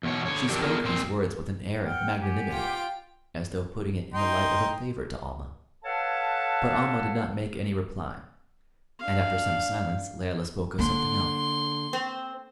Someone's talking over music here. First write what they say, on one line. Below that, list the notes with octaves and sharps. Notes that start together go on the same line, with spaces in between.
She spoke these words with an air of magnanimity, as though putting it in the light of a favor to Almah; but Almah did not make any reply, and after some silence Layelah spoke of something else.
E2 B2 C#5
D3 C#5
D#3 F3 F#3 C4 D4 G4
B3 D4 F4 F#4 G#4 A#4
A#2 C4 C5
F#5 G5 F6
G4 F#5 G#5
F4 G5
D#4 G5 C6
A4 B4 C#5 F5 F#5 A5
D4 F5
D3 A#3 C6
C4